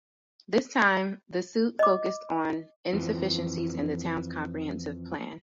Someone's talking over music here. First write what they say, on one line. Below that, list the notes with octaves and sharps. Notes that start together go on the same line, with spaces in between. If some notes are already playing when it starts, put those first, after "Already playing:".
This time, the suit focused on insufficiencies in the town's comprehensive plan.
D#5 D6
F2 E3 F3